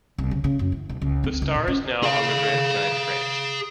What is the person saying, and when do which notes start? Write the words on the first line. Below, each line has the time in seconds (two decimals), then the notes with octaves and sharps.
The star is now on the red giant branch.
0.18 C2
0.31 C#3
0.44 C#3
0.59 F#2
0.72 E3
0.89 B1
1.02 C#2
1.24 C4
1.42 C#2
1.55 A#2
1.67 C#4
2.03 G#4 F5